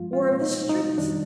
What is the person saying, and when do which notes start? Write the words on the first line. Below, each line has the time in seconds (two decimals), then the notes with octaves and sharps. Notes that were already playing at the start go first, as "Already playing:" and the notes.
War of the streets?
Already playing: G2 F3 G#3 F4
0.13 F4
0.41 D#4
0.69 D#4
0.97 F2 D#3 G3 D4